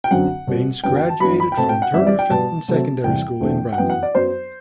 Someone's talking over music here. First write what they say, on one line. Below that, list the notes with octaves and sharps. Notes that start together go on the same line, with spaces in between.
Bains graduated from Turner Fenton Secondary School in Brampton.
G5
F#2 D3 F#3 C4 F#5
B2 G3 C4
F#2 D3 F#3 B3 G5
G5
A5
G2 E3 B3 B5
B5
G5
B2 A3 C4 A5
G5
F#5
F#2 E3 G3 C4 E5
D5
G5
B2 G3 B3 A5
C3 F#3 A3 C4
E2 C3 G3 G5
E2 D3 A3 C4
F#5
F#2 E3 B3 G5
F#5
D5
F#2 F#3 B3 C5